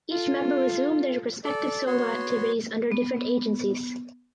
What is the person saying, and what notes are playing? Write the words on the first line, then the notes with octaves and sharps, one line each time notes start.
Each member resumed their respective solo activities under different agencies.
F4 A4
A4 D5
B3 F#4 C#5 C6
B3